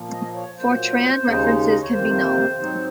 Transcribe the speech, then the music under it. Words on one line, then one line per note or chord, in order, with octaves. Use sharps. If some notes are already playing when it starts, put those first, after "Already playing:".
Fortran references can be null.
Already playing: A#2 F3 A#3
D#5
C#5
A#2 F#3 A#3 C5
D#2 C#3 G#3 D#4
D#5
C#5
F2 C3 D#3 A#3 C5
G#2 F#3 C4 D#4